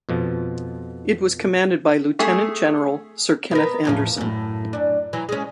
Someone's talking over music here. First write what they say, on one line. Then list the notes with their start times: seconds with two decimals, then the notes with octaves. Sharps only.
It was commanded by Lieutenant-General Sir Kenneth Anderson.
0.09 F2 B2 F3
2.19 A3 G#4 E5
3.51 B3 A#4
3.85 E2 A2 F3
4.17 F#2 A2
4.73 F#2 D4
5.13 E3 F#3
5.29 G#3 C#4